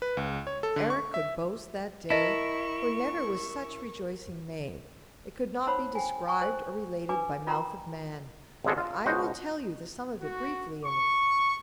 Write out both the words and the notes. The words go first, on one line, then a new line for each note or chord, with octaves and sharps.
Erec could boast that day, for never was such rejoicing made; it could not be described or related by mouth of man, but I will tell you the sum of it briefly and with few words.
B4
C#2
C#5
A4
D3
C#6
E5
E4 A#4 D#5 A5 C#6 A#6 B6
D#4 C5 C#5 F#5 B5 E6
G5 G#5
G5 G#5 C#6
C5
D4 B4 G#5 D6
F4 A#4 G5 A#5 C6
G#1 D#2 B2 D3 G#3 A4
F4
C#2 B2 F#4 C5 D#5 F#5
F#4
C#6